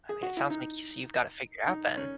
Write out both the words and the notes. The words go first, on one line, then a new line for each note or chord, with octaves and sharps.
I mean, it sounds like you see you've gotta figure out then.
G#4
F#4
E4
D#4
D#4
C#4